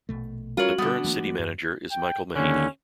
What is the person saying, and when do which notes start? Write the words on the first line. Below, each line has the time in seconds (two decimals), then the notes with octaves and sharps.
The current City Manager is Michael Mahaney.
0.09 A#1 B2 A3
0.57 G3 C#4 F4 F#4 A#4 C#5 F#7
0.78 D3 G3 B3
1.04 E3 A3 A#3
1.39 F#2
1.91 G5
2.35 D#2 D3 C#4